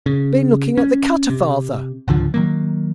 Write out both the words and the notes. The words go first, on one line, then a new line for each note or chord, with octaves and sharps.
"Been looking at the cutter, father?"
C#3
C#4
C3
G#1 C#2 D3 F3
D#3 F#3 A#3